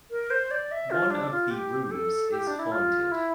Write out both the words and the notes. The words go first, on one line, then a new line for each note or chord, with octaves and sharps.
One of the rooms is haunted.
A#4
C5
D5
E5
F4
D4
F4
G4
G4
A4
G4
D4
E4
F4
E4